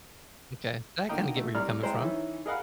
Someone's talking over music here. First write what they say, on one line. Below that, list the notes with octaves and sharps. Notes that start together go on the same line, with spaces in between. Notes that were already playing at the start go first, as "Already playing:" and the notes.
M'kay, I kinda get where you're coming from.
D3 D#3 A#3 D#5 G5 A#5
A3
C2 G3 D5 A#5 F6
G#3 E4 C5 G5 A#5
D#3 E3 C#4 D#4 E4
G#4 A#4 D#5 F5 F#5 B5